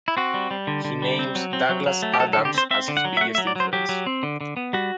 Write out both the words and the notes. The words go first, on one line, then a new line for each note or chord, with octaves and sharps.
He names Douglas Adams as his biggest influence.
E4
C4 F#4
G3
G3
D3
D3
G3
C4
F#3
C4
F#3
F#3
A3
G4
F#3 A4
A4
D3
G4
C4 C5
C4 E5
D3
F#5
F#3
E5
A3 F#5
E5
F#3
D5
F#3 C5
F#3 G4
F#3
C4
D3
D3
B3
G3 F#4